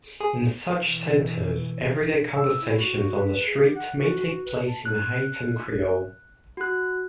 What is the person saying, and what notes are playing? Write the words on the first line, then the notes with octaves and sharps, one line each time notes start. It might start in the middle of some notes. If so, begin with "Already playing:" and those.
In such centers, everyday conversations on the street may take place in Haitian Creole.
G#4
B2 E3
E6
E4
F#4
F#4
B4
G#4
G4
F#5
F#4
F#4
B4
A5
F#6
F#4 F#6